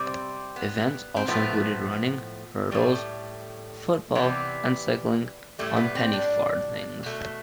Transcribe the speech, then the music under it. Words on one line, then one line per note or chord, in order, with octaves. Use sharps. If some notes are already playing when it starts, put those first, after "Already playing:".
Events also included running, hurdles, football and cycling on penny farthings.
Already playing: C3 G3 C4
B3
C4
A2 F3 A3 B3
A2 G3 A3
C3 E3 G3 B3
A2 G3 A3
B3
C4
D4
B2 A3